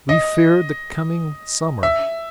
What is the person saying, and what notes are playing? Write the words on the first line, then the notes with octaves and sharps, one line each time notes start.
We feared the coming summer.
D#5
E5